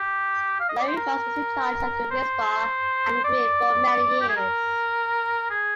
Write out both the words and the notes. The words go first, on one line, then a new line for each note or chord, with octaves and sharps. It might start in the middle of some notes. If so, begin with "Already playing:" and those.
Laurie Ross was in charge of the Ritz Bar and Grill for many years.
Already playing: G4
F5
D#5
D5
C5
A#4
C5
D5
G4
G#4
A#4
G#4